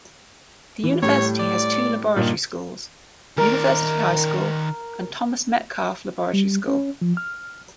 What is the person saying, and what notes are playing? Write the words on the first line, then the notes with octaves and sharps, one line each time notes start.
The university has two laboratory schools: University High School and Thomas Metcalf Laboratory School.
E3
A2 G3 C#5
D5
G2 A#2 D#3
D#3 A#4 D5
G3
C#4
F3
F6